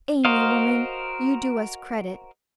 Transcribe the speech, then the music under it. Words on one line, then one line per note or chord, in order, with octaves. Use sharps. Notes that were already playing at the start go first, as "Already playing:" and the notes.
'Amy, woman, you do us credit!
F#4 A#4 C5 D#5 F5